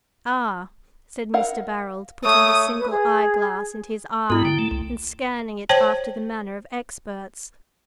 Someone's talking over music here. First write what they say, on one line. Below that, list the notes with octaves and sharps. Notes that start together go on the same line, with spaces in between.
"Ah!" said Mr. Barold, putting his single eyeglass into his eye, and scanning it after the manner of experts.
A#4 F5 F#5
A3 C#5 D#6
B4
G#4
G#2 B3 E4 A4
D3 G5
A3
C2
C5 C#5 G5 A5